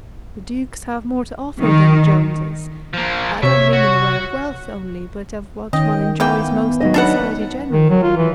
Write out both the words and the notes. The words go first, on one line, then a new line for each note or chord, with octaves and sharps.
"The Dukes have more to offer than the Joneses;--I don't mean in the way of wealth only, but of what one enjoys most in society generally."
D#3
F3 A#3
C3 C#5 E5
F#4
D#3 C#4 D#5 G5
E3 A#3 B3 G5
F#3 D#4 D#5
C#4 D4 A4 B4 F#5
D#3
F#3
F4
E3